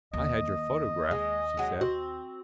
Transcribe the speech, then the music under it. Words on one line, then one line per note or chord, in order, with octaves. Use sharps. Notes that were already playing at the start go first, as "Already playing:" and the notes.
"I had your photograph," she said.
D#2 D#5
G#3
F#3 G#3
C4 F#4